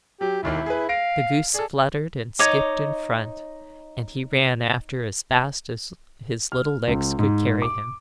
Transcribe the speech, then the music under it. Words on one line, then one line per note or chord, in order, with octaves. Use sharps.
The goose fluttered and skipped in front, and he ran after as fast as his little legs could carry him.
F#3 G4
E1 D#2 D#3 E4
G#4 B4
F5 A#6 D7
G#4 A4 D5
D#4 C#5 D#5 D6
F6
C#2
G#2
D6